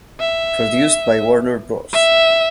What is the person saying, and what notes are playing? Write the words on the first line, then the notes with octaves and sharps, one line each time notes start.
Produced by Warner Bros.
E5
E5